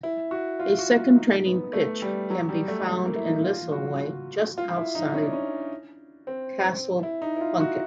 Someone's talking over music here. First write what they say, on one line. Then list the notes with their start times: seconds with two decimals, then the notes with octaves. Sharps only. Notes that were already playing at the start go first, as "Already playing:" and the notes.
A second training pitch can be found in Lisalway just outside Castleplunket.
0.03 E4
0.31 F#4
0.59 F4
0.79 F#4
0.98 F4
1.16 D#4
1.45 B3
1.73 A3
2.02 G3
2.30 F#3
2.49 G3
2.68 A3
2.87 A3
3.05 A#3
3.16 E4
3.24 D#4
3.44 F4
3.72 F#4
4.58 F4
4.76 E4
4.95 D#4
5.14 C#4
5.23 D4
5.33 C#4
6.27 C4
7.03 E4
7.22 D#4
7.36 E4
7.41 F4
7.60 F#4